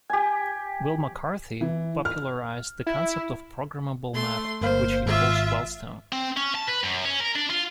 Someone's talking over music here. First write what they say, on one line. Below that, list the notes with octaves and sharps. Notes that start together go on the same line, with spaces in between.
Wil McCarthy popularized the concept of programmable matter, which he calls "wellstone".
G4 G#5
E3
F6
E4
A3 C6
G1 A#3 C5 F5
G#1 F4 E5
C4
C#4
A5
B4
F#2
C#4
A#4
D4
F4